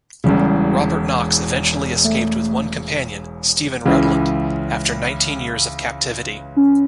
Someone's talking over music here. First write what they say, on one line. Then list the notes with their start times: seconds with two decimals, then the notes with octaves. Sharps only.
Robert Knox eventually escaped with one companion, Stephen Rutland, after nineteen years of captivity.
0.24 E1 E2 C#3 G3
2.04 A3
3.85 C#2 C#3 E3
6.56 C#4